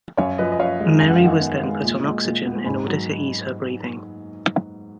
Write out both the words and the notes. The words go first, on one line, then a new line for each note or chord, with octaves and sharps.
Mary was then put on oxygen in order to ease her breathing.
F#2 C#5 F5
F3 B4 D#5
D#5
F#2 C#5 F5
G#3
F#2 G#5
F#5
F5
D#3 D#5 F#5
B3
G#3
A#2
G#3
A#2
B3
G#2 G#5 B5
F#3